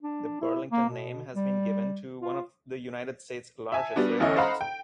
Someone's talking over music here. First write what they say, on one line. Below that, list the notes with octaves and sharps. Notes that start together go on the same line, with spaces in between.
The "Burlington" name has been given to one of the United States' largest railroads.
D4
E4
A#3
B2
G3
F4
E5 G#5 A5
G3 B3 D4 F#4
A1 D2 C#4 E4 D#5
C5 D#5 F5 F#5 A#5 B5
G5